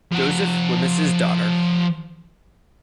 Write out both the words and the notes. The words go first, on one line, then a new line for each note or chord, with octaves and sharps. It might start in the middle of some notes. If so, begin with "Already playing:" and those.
Joseph Wemyss' daughter.
F3 F#5